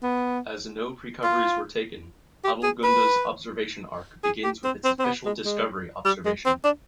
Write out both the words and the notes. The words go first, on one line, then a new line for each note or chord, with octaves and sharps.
As no precoveries were taken, "Adelgunde"s observation arc begins with its official discovery observation.
B3
F4
G4
G#4
B4
G#4
G4
C4
C4
C4
B3
G#3
G#3
G3
G#3
C4
D4